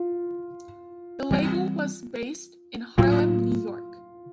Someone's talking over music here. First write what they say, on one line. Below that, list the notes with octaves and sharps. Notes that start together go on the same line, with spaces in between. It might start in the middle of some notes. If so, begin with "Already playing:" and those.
The label was based in Harlem, New York.
Already playing: F4
E3 G3 C4
A2 F#3 A#3 F4